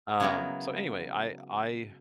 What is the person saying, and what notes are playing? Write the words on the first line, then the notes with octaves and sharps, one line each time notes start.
Um, so anyway, I I
C#3 F#3 G#3 B3 E4 A#4